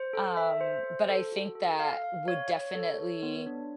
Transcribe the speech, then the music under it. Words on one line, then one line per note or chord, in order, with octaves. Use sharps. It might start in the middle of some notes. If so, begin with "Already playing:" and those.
Um, but I think that would definitely
Already playing: C5
A4
E5
C5
C5
A4
F#4
A4
F5
F5
C#5
C#5
A4
C#5
B3
D4